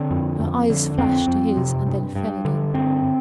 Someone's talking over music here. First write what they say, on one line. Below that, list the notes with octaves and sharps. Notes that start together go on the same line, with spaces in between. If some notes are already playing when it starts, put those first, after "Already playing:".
Her eyes flashed to his and then fell again.
Already playing: D3 C4
F2
F2
D3
F2 C4
F2
C3
G2
G2
D3
G2 C4